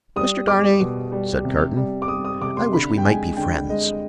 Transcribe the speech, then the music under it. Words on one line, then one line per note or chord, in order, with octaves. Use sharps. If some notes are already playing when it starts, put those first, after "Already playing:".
"Mr. Darnay," said Carton, "I wish we might be friends."
G3 D#6
G3 D6
B2
G3
C3
G3
D6
G3 D#6
D#6
C3 D6
C6
D3 B5
G5
G#3 G#5
D3 G5
G#3 D#5